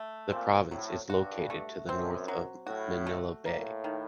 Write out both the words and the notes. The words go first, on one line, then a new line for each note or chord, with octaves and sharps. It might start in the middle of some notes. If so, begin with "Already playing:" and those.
The province is located to the North of Manila Bay.
Already playing: A3
A#2 C4
A2 F#3
G2 F#4
A3
F#2 C4
F#3
A2 F#4
A3
A2 A#3
D#3